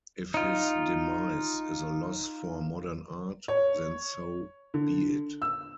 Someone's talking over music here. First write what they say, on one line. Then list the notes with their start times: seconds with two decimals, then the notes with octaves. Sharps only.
If his demise is a loss for modern art, then so be it.
0.34 D#4 F4
3.48 C#5
4.74 D3
5.42 E6